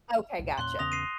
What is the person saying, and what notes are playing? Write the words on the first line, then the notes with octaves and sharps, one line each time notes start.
Okay, gotcha.
C2 A#2
E2 A#2 C#4 C6 F#6 G7
E2 C#3 B3 D#6 A#6 F7
C7 D#7